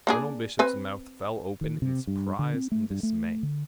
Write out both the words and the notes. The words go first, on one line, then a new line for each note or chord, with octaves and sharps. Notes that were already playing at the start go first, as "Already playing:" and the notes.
Colonel Bishop's mouth fell open in surprise and dismay.
A#3 D4 G#4
C4 B4 G#5
D#3
C3
G2
D3
C4
A3
G2
A3
D3